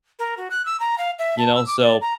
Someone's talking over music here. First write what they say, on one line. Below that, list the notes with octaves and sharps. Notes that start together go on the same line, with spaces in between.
you know. So,
A#4
F#4
F#6
E6
A#5
F5
E5
A5
E6
D6
D5
A#5